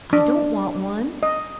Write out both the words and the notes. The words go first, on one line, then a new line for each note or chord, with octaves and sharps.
"I don't want one."
D4
D#5